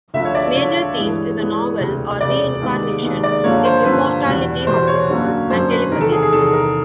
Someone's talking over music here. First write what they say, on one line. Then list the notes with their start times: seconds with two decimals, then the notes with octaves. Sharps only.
Major themes in the novel are reincarnation, the immortality of the soul, and telepathy.
0.14 D2 D3 F3 E5
0.25 C#5
0.35 D5
0.55 D2 D3 F3 C#5
0.97 G2 E3 G#3 B3
1.38 G2 E3 G#3 B3
1.79 E1 D2 C3
2.20 E1 D2 C3 D5
2.61 D#2 D#3 G#3 B3
3.02 D#2 D#3 G#3 B3
3.23 D5
3.44 G2 D3 F3 A#3 C#5
3.65 C5
3.85 G2 D3 F3 A#3 B4
4.26 E2 B2 G3
4.67 E2 B2 G3 C5
4.87 C#5
5.09 F#2 D3 F#3 A#3
5.50 F#2 D3 F#3 A#3 C5
5.71 B4
5.90 E2 C3 D#3 A#4
6.01 A4
6.12 G#4
6.22 G#4
6.33 E2 C3 D#3 A4
6.53 A#4